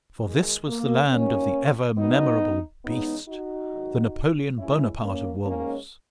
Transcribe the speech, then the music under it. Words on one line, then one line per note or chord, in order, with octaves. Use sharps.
For this was the land of the ever-memorable BEAST, the Napoleon Bonaparte of wolves.
G#2 D#3 F#3 G#3
A#3
D#2 D#3 F#3 A#3 C#4
F#2 D#3 F#3 B3 D#4
E2 C#3 G#3 B3 D#4
D#4 F#4
G#2 D#3 F#3
D#2 C#3 E3 G#3 C#4 E4
A#3 C#4
G#2 D#3 G#3 A#3 C#4